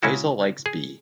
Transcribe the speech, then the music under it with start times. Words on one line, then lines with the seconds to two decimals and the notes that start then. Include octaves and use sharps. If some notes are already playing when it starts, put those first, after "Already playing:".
Basil likes Bee.
0.03 C#3 G#3 C#4 E4 F#4
0.66 G#4